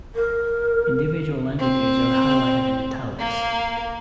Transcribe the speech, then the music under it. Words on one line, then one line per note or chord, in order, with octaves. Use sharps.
Individual languages are highlighted in "italics".
A#4
C4
A#3